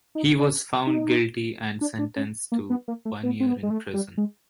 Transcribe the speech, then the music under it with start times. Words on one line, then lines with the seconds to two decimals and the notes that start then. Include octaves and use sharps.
He was found guilty and sentenced to one year in prison.
0.15 D#4
0.39 D4
0.87 D#4
1.81 D4
1.99 D4
2.16 C#4
2.52 A#3
2.70 B3
2.88 A#3
3.05 A3
3.23 B3
3.40 C4
3.46 B3
3.63 G#3
3.70 A3
3.94 G3
4.18 G#3